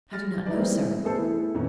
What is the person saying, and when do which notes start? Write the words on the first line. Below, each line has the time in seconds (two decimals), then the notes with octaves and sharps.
"I do not know, sir."
0.13 F6 A6 A#6
0.46 D#4 E4 B4 D5
0.58 G3 G#3 C4 E4
1.04 A3 B3 G#4 A4 C5
1.18 E3 E4
1.54 F2 A#2 D#3 B3 C#4